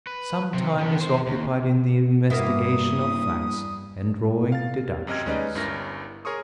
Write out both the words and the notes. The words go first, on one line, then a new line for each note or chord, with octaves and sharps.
Some time is occupied in the investigation of facts, and drawing deductions.
B4
C3 C4
D3 B3
C3 C5
D#2
G2 A#3 B3 E4 D#6
F5 A6
F#2 C3 D#5 F6 G#6
G#3 C#4 D#4 B4 D5 D#5
G1 G2 C#4 E4 A#4 A#6
G#4 A#4 C#5 C6 C#6 D#6